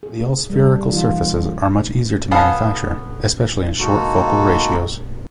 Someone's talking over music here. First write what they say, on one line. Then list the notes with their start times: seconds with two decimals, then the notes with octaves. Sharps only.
The all spherical surfaces are much easier to manufacture, especially in short focal ratios.
0.03 G#4
0.50 G3 A4
0.89 E3 D#4 F4
2.31 B3 C#4 G#4 A4 F5
3.79 G#3 A#3 D#4 F#4 A4